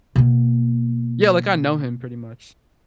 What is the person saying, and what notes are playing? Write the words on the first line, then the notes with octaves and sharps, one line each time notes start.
Yeah like, I know him pretty much.
B2 A#3